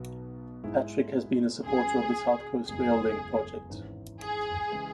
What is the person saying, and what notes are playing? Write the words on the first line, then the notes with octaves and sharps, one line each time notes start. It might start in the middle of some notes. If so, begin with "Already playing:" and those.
Patrick has been a supporter of the South Coast Rail Link project.
Already playing: B1 B2 B3 F#4
G#2 G#3 E4
C#2 C#3 F#3 G#4
F#1 E2 E3 G#3 E4 G#4
G#1 G#2 E3 C#4 E4
G#4
C#3 E3 G#3 E4